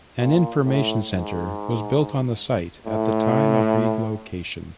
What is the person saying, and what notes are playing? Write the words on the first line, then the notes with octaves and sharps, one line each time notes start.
An information centre was built on the site at the time of relocation.
A#2
A2
G#2
A2